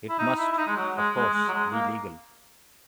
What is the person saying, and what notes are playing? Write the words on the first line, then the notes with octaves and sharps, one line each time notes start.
It must, of course, be legal.
E4
D#4
E4
E4
D#4
G#3
F#3
G#3
G#3
G#3
F#3
G#3
A#3